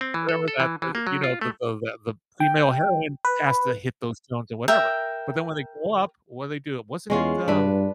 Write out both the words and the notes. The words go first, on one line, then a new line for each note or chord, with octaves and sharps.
whatever that, uh, you know, the the the the female heroine has to hit those notes or whatever. But then when they grow up, what do they do? Wasn't it, um,
C4
E3
A4
A4
E3
E3
A#3
F#3
F4
A3
G5
B4
A#4 E5 G5 A#5
E2 G#3 C#4 F4
G2 D4 B4